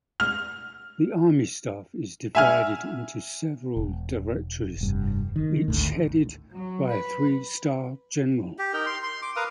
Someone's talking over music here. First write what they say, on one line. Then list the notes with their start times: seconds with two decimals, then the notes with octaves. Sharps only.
The Army Staff is divided into several directorates, each headed by a three-star general.
0.20 F6
2.35 E5 G#5 F6
3.77 E1
4.81 F1 G2
5.36 D#3
5.68 G#1 D2 A2
6.53 F#3
6.89 B4
8.59 G4
8.73 D#4 A#4 G5
8.86 C6
9.03 C6
9.22 D6
9.36 A#4 B4 F5 D#6